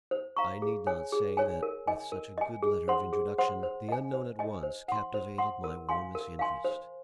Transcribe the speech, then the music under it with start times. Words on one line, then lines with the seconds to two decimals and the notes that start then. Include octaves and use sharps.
I need not say that, with such a good letter of introduction, the unknown at once captivated my warmest interest.
0.11 C5
0.37 F5 A#5 C#6
0.62 G#4
0.87 C#5 G#5
1.12 G#4
1.37 C#5 G#5
1.63 A#4
1.87 D#5 G#5
2.12 A#4
2.38 D#5 G#5
2.63 G#4
2.88 C5 F#5 C6
3.13 G#4
3.38 C5 F#5 C6
3.63 C5
3.89 D#5 G#5
4.13 C5
4.39 D#5 G#5
4.63 C5
4.88 F#5 C6
5.14 C5
5.38 F#5 C6
5.64 A#4
5.89 F5 G#5 C6
6.15 A#4
6.39 F5 G#5 C6
6.65 C5